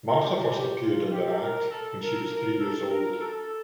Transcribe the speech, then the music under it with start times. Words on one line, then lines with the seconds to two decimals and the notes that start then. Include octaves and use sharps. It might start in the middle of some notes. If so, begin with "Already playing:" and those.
Martha first appeared in their act when she was three years old.
0.21 G4
0.50 G4
0.80 F4
1.10 G4
1.40 A#4
1.69 A4
1.99 A#4
2.29 A#4
2.58 A4
2.88 A#4
3.17 A4